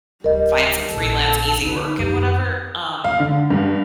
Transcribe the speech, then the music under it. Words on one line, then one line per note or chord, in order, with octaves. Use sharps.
find some freelance easy work and whatever. Um
D1 G3 A#4 D#5
A#1 B3 A4
D3 B3 D#4 B4
F#2 D#3 D#4 G4
F5
D3
G2